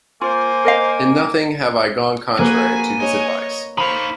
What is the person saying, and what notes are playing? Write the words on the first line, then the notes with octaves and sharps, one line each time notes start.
In nothing have I gone contrary to his advice.
A#3 F4 C5 G#5
A#4 D#5 F5
A#3 F#4 G#4 B4 G#5
C#5 D#5
D#4 C5 F5 B5 C#6